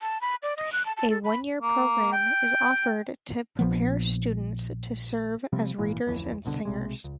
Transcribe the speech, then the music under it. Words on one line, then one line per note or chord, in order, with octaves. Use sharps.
A one-year program is offered to prepare students to serve as readers and singers.
A5
B5
D5
D#5
F#6
A5
A5
A4
B5
A#3
G5
A#1 F3 B3
C3 F3 G3 C4
G#1 A#2 E3
D1 A1 F2 E3
F1 C2 B2 D3
B1 C3 G#3
C#2